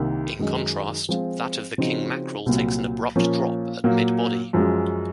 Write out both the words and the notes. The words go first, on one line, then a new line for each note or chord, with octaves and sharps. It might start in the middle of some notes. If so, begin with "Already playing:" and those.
In contrast that of the king mackerel takes an abrupt drop at mid-body.
Already playing: C2 C3 D#3 A#3
F#2 D#3 G#3 D#4
F3 G#3 C4 F4
C#3 F3 C4 D#4 F#4
C2 A#2 F#3
A#2 F3 A#3 C#4 F4
A#2 F#3 A#3
F#2 F3 G#3